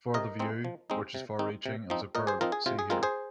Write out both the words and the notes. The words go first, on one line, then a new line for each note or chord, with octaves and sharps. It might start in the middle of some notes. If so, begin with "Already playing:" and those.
For the view, which is far-reaching and superb, see here.
C3 A#4 D#5
G#3 C4 D#4
F3
G#3 C4 D#4
C3
D#3 C4 D#4
C3
F3 C4 D#4
A#2 A#4 D#5
G#4 C5
F3 C4 D#4 F4 A#4
G#4
C3 F4
G#4
G#3 C4 F4 A#4
G#4 C5